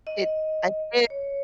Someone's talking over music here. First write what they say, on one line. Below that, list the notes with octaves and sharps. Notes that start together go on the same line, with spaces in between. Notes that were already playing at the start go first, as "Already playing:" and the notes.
It I did
D#5
C#5